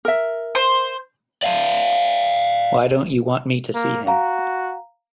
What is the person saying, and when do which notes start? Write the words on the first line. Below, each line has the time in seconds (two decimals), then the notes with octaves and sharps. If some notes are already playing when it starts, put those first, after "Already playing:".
Why don't you want me to see him?
0.05 A#4 E5
0.55 C5
1.43 D5 E5 F5 G#5 A5
3.75 A#3
4.07 F#4 F5 A#5